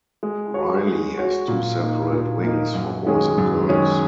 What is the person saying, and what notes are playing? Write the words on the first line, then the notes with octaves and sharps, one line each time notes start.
Riley has two separate wings for boys and girls.
G#3
F#4 C#5
G#3
F#4 C#5
A#2
A#3 D#4
A#2
A#3 D#4
F#2
D#3 G#3 C#4 G#4
F#2
D#3 G#3 C#4 G#4